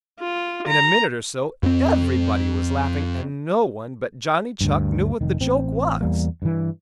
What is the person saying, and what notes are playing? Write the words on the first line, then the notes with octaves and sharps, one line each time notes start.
In a minute or so everybody was laughing, and no one but Johnny Chuck knew what the joke was.
F4
A#5
F2 C4
D2 G2
F1 D#3
A1 C4
E2 G3 A#3
G2 E3